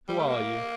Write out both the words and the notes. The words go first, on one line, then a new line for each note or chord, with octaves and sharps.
"Who are you?"
G3
A3
A#3